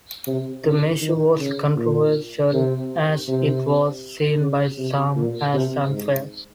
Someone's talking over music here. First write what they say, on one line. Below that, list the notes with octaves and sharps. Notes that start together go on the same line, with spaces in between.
The measure was controversial as it was seen by some as unfair.
C3
C#3
D#3
C#3
A#2
C3
C3
C#3
C3
A#2
C3
G#2